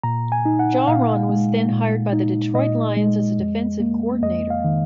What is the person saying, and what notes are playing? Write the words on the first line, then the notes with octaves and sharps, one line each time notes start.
Jauron was then hired by the Detroit Lions as a defensive coordinator.
A#2 A#5
G#5
D#4
F#5
A#2 F5
G#3
A#2
D#4
A#2 D#5
G#3
F2
A#3
F2 D#5
F5
D#3